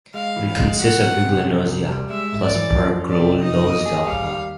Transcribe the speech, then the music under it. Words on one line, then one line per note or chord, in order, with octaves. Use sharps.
It consists of Euglenozoa plus Percolozoa.
G#3 F5
E3
F5
G#3
F#3 F#5
F#3
C3
C2
C2
G3
G#3 E5
G#2
D5
E3
F3
C#4
D5
C3
D#4 D#5
A#3
G#4
G3 F5
D#2